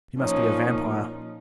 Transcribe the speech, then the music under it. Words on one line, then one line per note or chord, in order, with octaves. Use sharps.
"He must be a vampire."
A#2 F3 C#4 D#4